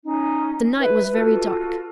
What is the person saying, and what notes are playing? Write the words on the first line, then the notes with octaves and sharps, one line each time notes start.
The night was very dark.
C#4 D#4
B4 E5
F4 F#4 A4